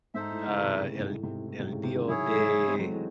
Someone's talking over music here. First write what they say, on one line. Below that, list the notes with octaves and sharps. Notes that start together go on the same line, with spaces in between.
Uh, el el dios de
G#2 D#4 A4 C5 E5
A2
A2 C#3
C3 D#3
A2 C#3
A2 C#3
G#2 C3
A2
G#2 C3
A2
A2
G#2 C3
A2 C#3
C3 D#3
C#3 E3
D#3 F#3 E4 G#4 C#5
E3 G#3
G#3 C4
F#3 A3
E3 G#3